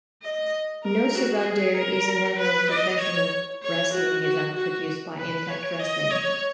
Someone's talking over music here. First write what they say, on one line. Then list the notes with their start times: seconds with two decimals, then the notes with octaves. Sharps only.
No Surrender is an annual professional wrestling event produced by Impact Wrestling.
0.22 D#5
0.84 A#4
1.15 F#4
1.46 G#4
1.77 A#4
2.39 B4
2.70 D#5
3.01 C#5
3.63 C#5
3.94 F#4
4.25 F#4
4.56 F#4
5.18 B4
5.49 C#5
5.79 D#5
6.10 C#5